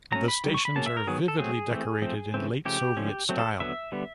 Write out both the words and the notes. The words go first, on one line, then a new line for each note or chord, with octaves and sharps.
The stations are vividly decorated in late-Soviet style.
F#3 A3 C#4 A#5
B5
D#3 G3
C#6
B5
C#3 F#3 A#3 C#4 A5
E5
A#4
D#3 F#3 B3 G#4
A4
F#3 A3 C4 G#4
E3 A3 C4
F3 A3 C4
C#3 E3 A3 C4
C#3 F3 A3 C#4 G4
D3 F3 A3 C#4
F#3 A3 C4
A4
D3 F#3 B3 E5
D3 G3 B3